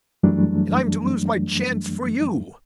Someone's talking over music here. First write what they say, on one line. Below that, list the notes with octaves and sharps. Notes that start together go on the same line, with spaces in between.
And I'm to lose my chance for you!
F#2 E3 F#3 G3 A3 D4